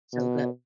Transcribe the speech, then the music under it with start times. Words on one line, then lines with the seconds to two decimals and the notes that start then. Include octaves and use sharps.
So good.
0.13 B2